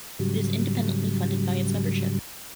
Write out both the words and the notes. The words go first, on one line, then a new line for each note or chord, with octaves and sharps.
It is independently funded by its membership.
G#2 C#3 F#3 G3